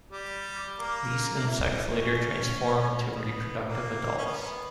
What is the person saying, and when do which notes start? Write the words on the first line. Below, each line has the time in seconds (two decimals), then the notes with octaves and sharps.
These insects later transform into reproductive adults.
0.11 G3 G4
0.79 A#3 A#4
1.37 A#3 A#4
1.46 E3 E4
1.94 C#4
3.10 B3
3.67 A#3
4.17 C#4
4.26 B3